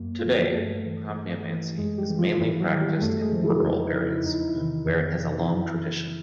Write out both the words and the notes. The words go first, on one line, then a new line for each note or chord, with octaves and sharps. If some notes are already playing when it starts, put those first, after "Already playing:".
Today, cromniomancy is mainly practiced in rural areas where it has a long tradition.
Already playing: F#2 A#3
F4
D3 F3 F#4
G4
G#4
G2 A3 A4
E3
G2
E3
F#2 G#3 G#4
G3 G4
C#3 E3
F3 F4
F4
G#2 E3 E4
F#3 F#4
D#3
G3 G4
F#2 A3 A4
G#3 G#4
C#3 F3
E3 E4
F2 D#4
E4
D#4
E4
C#3 F3 D#4
E4
D#4
E4
E2 D#4
E4
D#4
E4
C3 D#3 E3 D#4
F2 D#3 D#4
C3 E3
D#4
F#2 E3 E4
C#3 E3